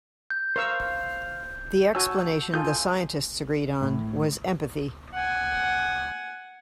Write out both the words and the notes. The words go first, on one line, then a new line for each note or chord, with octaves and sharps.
The explanation the scientists agreed on was empathy.
G6
A#4 C5 F5 C#6 E6
F#4 C#5 G#5 A5 E6
F4 A4 G#5 D#6 G6
A2
F#5 G#5